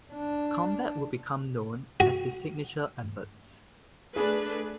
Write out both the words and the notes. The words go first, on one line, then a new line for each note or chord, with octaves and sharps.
Combat would become known as his signature efforts.
D4
F#4
A3 D4 G#4 B4